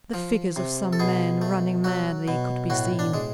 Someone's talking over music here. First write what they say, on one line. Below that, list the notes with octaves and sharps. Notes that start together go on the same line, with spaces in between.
The figures of some men, running madly, could be seen.
F3
C3
A4
B2 G#4
A3
F#3 F#4
B2
A2 F#4
D4
G#3